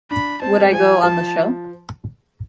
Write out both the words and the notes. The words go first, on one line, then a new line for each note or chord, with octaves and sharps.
Would I go on the show?
D4 B5
C4 A5
G#3
F3 G#5
F3 A5